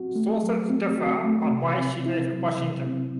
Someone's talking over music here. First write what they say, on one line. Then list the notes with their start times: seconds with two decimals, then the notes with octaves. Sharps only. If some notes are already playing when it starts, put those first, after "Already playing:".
Sources differ on why she left Washington.
Already playing: F#3 C4 F#4
0.15 A3
0.43 F#3
0.70 C4
0.98 F#4
1.24 A3
1.51 C3
1.78 C4
2.06 E4
2.33 F#3
2.60 C3
2.86 C4